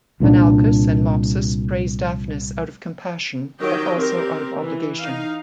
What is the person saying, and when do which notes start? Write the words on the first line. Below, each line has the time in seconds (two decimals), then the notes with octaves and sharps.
Menalcas and Mopsus praise Daphnis out of compassion but also out of obligation.
0.20 C2 A#2 G#3 D4
3.60 D#3 F#3 G4 D#5 G5
3.96 C4 G4 A#4
4.60 E3
4.99 D#4 F5